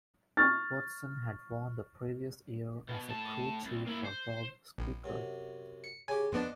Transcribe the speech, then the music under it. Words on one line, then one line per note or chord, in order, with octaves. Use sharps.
Watson had won the previous year as a crew chief for Bob Sweikert.
C#6 F6 A6
B2
A2 A5
C2
A#3 E4
C5
A#1
F#2 C3
C#7
C#3 G4 G#5
F2 B3 D4 C5 D5 D#5